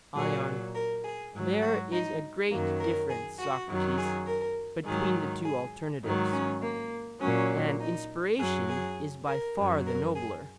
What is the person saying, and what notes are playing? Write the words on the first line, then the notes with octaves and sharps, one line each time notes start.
ION: There is a great difference, Socrates, between the two alternatives; and inspiration is by far the nobler.
A#2 F#3 G#4
A#4
G#4
G#2 F#3
F#4
D#4
F#2 D#3 F#3 A#3
A#4
G#4
F#4
F#2 D#3 F#3
G#4
A#4
G#2 D#3 F#3 G#4
G#4
G#2 D#3 F#3
C#4
A#3
A#2 F#3 C#4
D#4
F#2 F#3 G#4
G#4
A#4
F#2 F#3
A#4
G#4